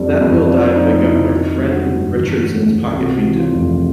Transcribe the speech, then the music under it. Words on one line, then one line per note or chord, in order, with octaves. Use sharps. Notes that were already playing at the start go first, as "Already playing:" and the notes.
That bill died by Governor Friend Richardson's pocket veto.
Already playing: F2 G3 D4
F2
F3 D4
F2 D#4
F2 E4
D#3 F#4
G3
F#4
G1
E3
A3
C#2
C3 F#4
E3
F4
F1